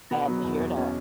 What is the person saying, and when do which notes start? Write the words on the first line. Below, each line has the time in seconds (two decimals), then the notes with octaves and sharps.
Sad to hear that.
0.11 B2 B3
0.28 F#3 B3
0.44 E2
0.61 E2
0.77 B2 C#4